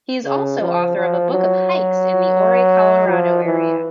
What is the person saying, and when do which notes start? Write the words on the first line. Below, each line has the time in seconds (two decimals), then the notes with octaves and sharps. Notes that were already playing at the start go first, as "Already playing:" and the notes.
He is also author of a book of hikes in the Ouray, Colorado area.
0.25 C#3
0.60 F3
0.96 F3
1.31 F#3
3.08 F3
3.45 E3